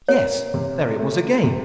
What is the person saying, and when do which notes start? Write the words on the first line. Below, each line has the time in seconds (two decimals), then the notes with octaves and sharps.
Yes, there it was again!
0.09 A#3 C#5
0.54 C3
0.99 A3
1.44 C3